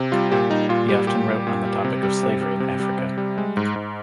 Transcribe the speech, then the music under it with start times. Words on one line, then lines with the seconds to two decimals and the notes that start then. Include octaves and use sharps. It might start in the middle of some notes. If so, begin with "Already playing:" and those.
He often wrote on the topic of slavery in Africa.
Already playing: C3
0.12 G3 F4
0.32 A#2 G4
0.50 G3 D#4
0.69 A#2 F4
0.88 G3 G4
1.07 A#2 G4
1.27 G3
1.47 A#2
1.65 G3
1.84 C3
2.03 G3
2.23 C3
2.41 G3
2.60 C3
2.80 G3
2.99 C3
3.18 G3
3.38 G#3
3.57 G#2
3.76 G#2